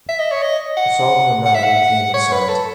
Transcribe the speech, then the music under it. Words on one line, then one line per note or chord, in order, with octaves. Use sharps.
A child and a man walking in the sand.
E5
D#5
C#5
D#5
F#5
F#5
E5
F#5
C#5
B4
A4